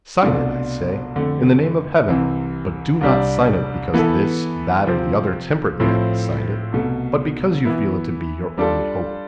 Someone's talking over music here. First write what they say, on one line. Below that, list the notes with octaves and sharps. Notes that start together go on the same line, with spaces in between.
Sign it, I say, in the name of Heaven; but do not sign it because this, that, or the other temperate man has signed it, but because you feel it to be your only hope.
C2 B2 A3 D4 F4
F2 D3 A3
C2 C3 E3
C2 C3 G3 D4
E3 B3 E4 A4
C3 F3 C4
A2 F3 C4 E4
C2 B2 A3
E3 B3 E4
G3 D4 F4 A4